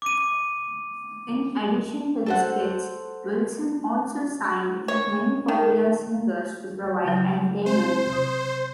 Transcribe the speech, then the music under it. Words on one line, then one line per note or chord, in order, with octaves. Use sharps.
In addition to the skits, Wilson also signed many popular singers to provide entertainment.
D6 D#7
A4 C5 F#5
C#5
D#3
C#3 F#3
C4 C5
C3 D#6